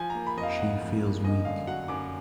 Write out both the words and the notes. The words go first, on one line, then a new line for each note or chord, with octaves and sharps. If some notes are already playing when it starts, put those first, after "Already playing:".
She feels weak.
Already playing: F3 G#5
A#5
A#3
B5
F2 D#5
F5
A#3 F#5
F2
A#3
F#2 D#5
D3 F5
F#3 F#5
F#2 D6